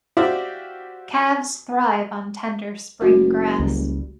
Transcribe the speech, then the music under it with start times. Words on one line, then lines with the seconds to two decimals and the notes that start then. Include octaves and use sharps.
Calves thrive on tender spring grass.
0.17 F#4 G4 C5 D5 E5 F5
3.01 F#1 A3 F#4 A#4
3.60 C#2 F#3 G3